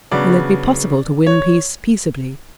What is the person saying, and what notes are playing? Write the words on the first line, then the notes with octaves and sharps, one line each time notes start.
Will it be possible to win peace peaceably?
C#3 F#3 B3 D4 D5
C#5